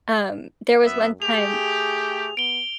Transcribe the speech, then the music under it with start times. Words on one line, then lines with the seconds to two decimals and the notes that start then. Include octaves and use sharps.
Um, there was one time
0.85 F#2 B3 E5
1.22 A3 G4 G#4 F7
2.37 B3 D7 G7